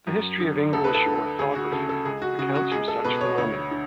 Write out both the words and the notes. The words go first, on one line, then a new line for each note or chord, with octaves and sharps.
The history of English orthography accounts for such phenomena.
F#2
D3
D2 A4
B4
A4
D3
D2 G#4
F#4
C#3 A4
A4
C#2 G#4
F#4
C#3 F#4
F#4
C#2 G#4
A4
B2 B4
C#5
D2 C#5
D3